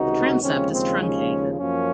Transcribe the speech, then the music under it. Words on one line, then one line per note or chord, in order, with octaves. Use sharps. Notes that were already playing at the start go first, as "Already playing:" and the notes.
The transept is truncated.
Already playing: C#2 C3 D#3 D#4 F#4
D#2 C#3 F3 G#3 C4 C#4
C4
C#4
F#2 F3 A#3 C#4